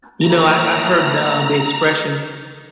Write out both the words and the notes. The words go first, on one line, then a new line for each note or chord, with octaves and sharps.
You know, I've I've heard the, um the expression
A2 A3 A#3 A#5